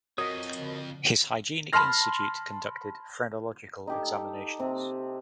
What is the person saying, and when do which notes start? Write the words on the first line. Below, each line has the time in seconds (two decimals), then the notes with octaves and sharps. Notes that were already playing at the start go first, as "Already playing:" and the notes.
His hygienic institute conducted phrenological examinations.
0.18 F2 F#4 A#4 C#5 D#5 D#6
1.73 A5 B5 C6 F6 A#6
3.87 D#4 G4 A4
4.60 C3